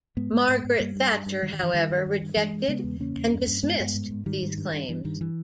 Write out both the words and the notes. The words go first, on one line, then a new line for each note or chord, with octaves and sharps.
Margaret Thatcher however, rejected and dismissed these claims.
G#2 G#3 B3
G#2
G#2
G#2
G2 G3 A#3
G2
G2
G2
G2 D#3 G3
D#3
G2 E3
G2 D#3 G3
G2
G2
G2
G2 E3 G#3
G2
C#3 G#3 B3
E2
C#3 A#3 C#4
E2
G2
G2
G2 G#3 B3
G2
G#2
G#2
G#2 D#3 G3
G#2
G2
G2
G2 E3
G2 D#3
E3